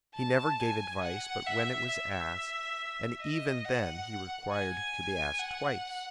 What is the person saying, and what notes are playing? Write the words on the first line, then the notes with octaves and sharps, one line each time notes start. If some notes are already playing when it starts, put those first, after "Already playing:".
He never gave advice but when it was asked, and even then he required to be asked twice.
A5
G#5
F#5
E5
E5
D#5
F#5
G#5
F#5